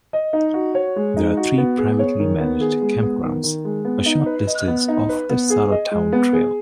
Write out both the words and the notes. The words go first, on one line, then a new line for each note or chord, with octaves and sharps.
There are three privately managed campgrounds a short distance off the Sauratown Trail.
D#5
D#4
F#4
C#5
G#3
D#4
F#4
B3
G#4
C#5
D#3
B3
G#4
G#3
B3
D#3
D#3
G#3
B3
D#4
B4
D#5
B3
D#4
B4
B3
G#4
D#5
G#3
B3
G#4